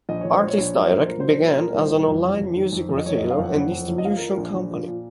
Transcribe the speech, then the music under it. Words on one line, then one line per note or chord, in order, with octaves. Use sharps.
Artistdirect began as an online music retailer and distribution company.
A#1 D#5
A#1 C#5
C5
A#2
C#5
A#1
F#3
A#1
C5
A#2 A#4
C5
F#3
C5
A#2 C#5
A#2 A#4
A#4
C2
C5
C2 A#4
F2
F#1
F2
D#3
F2
F2
D#5
F#1 C#5
D#5
F#1
F5
F2 F#5
F#1
F2
F#1
D#5
F3 F5
A#4
F3
A#4
A#1
A#1
F3
A#2